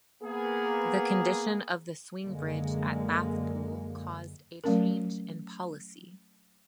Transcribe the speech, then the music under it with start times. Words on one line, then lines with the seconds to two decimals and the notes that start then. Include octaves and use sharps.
The condition of the swing bridge at Bathpool caused a change in policy.
0.23 A#3 B3 G#4
2.25 F#2 D3 G#3 A#3
4.64 F#3 A3 C#4 A#4